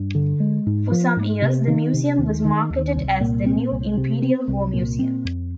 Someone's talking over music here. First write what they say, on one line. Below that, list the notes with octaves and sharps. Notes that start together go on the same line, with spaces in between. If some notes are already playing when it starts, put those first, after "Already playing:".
For some years the museum was marketed as 'The "new" Imperial War Museum'.
Already playing: G2
D3
G#3
G#2
F3
G#2
C3
D#3
C3
D#2
D#3
D#2
C2
A#2
C4
C2
C3
C4
C2
A#2
C4
F2